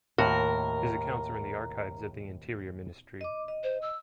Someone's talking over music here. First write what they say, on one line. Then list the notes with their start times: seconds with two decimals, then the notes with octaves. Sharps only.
His accounts are in the archives of the Interior Ministry.
0.18 D#2 A2 F#4 A#4
3.21 D#5 D6
3.48 D#5
3.64 C5
3.82 E6